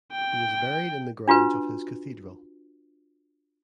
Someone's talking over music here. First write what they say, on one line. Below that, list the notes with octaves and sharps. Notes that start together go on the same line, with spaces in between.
He is buried in the grounds of his cathedral.
G5
D4 F4 F#4 B4